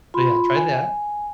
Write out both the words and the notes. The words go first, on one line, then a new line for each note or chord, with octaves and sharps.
So yeah, try that.
F4 B5 C6
G#5